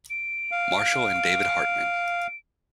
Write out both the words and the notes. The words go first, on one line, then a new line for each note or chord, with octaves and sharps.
Marshall and David Hartman.
D7
F5